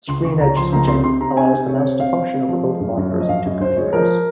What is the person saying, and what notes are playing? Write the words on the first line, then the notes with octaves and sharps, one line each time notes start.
Screen-edge switching allows the mouse to function over both monitors of two computers.
C#2 C6
C#2 C#6
C#2 A#5
F3 C6
C#2 A#5
C3 C6
C3 C6
C3 A#5
C3 G#5
C3
C3 C#5
C4
C4 F5
C4
C3
F3
G#3
F#2
F#2
F3
D#5
F#2 F5
F#2 D#5
F#2 C5
G#3 C#5
F3 A#4